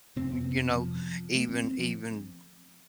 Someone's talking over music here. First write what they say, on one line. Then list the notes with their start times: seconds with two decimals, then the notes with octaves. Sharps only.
y you know, even even
0.16 F2 C3 C4
0.31 B3
0.46 B3
0.61 C4
0.75 F3
1.35 A3
1.49 C4
1.64 C4
1.79 F3